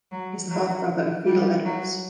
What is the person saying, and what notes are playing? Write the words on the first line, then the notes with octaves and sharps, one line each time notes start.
He is the half brother of Fidel Edwards.
F#3
F#3
G3
F#3